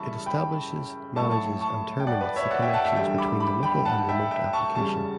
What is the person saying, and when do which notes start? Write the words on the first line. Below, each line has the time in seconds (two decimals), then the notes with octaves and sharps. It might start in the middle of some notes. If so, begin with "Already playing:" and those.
It establishes, manages and terminates the connections between the local and remote application.
Already playing: F#2 C#3 E3 G3 E5 A5 B5 C#6
0.26 G5 B5
1.16 A2 F#3 A5 C#6
1.31 A5 C#6
1.61 A5 C#6
2.00 G5
2.07 D5 F#5
2.21 B4 D5
2.36 C#5 E5
2.51 D5 F#5
2.62 E5 G5
2.73 F#5 A5
2.84 E5 G5
2.95 E2 D3 G3 E5 G5
3.18 B5 D6
3.40 B5 D6
3.63 G5 B5
3.85 F#5 A5
4.09 E5 G5
4.31 E5 G5
4.53 A5 C#6
4.75 E2 C#3 G3 A5 C#6